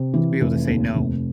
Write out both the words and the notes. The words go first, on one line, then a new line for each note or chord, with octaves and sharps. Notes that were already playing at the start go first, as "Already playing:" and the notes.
to be able to say no,
Already playing: C3
E3
F1
D#2
F1